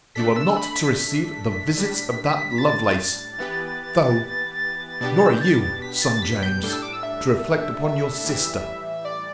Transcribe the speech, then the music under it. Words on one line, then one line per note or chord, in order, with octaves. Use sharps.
You are not to receive the visits of that Lovelace, though.--Nor are you, son James, to reflect upon your sister.
A3 D4 A4 B6
E6
B5
B6
A2 G3 D4
B6
A6
E3 B3 G4 B4
B2 B3 D4 G4 A6
E6
G6
A6
B6
A6
A6
B6
G6
A2 G3 D4 A4 G6
E6
D6
E6
E5
A2 E3 G3
D5